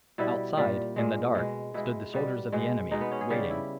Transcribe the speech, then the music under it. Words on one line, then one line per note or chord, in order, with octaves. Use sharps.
Outside, in the dark, stood the soldiers of the enemy, waiting.
B2 G3 E4
A#2 G3
A#2 G#3
B2 G#3
B2 G#3 E4
B2 G3
B2 G#3
B2 G#3 D#4
B3
C#4
G#4
C#3 G3 G4
E4